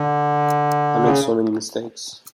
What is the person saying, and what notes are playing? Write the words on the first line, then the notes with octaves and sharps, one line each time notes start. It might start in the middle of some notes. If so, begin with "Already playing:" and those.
I make so many mistakes.
Already playing: D3
C#3